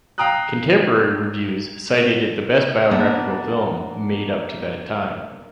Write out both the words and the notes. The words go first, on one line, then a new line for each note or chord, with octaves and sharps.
Contemporary reviews cited it the best biographical film made up to that time.
F5 G5 A#5 D#6 F#6
A#3 B3 D4